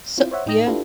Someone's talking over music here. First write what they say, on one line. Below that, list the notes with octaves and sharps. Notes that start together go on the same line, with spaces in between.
So Yeah.
C4 E4 F4
C5 C#5 E5 F#5
A2 D#4 G5 D#6 A#6
D4 E4 F4 G4 A4 B4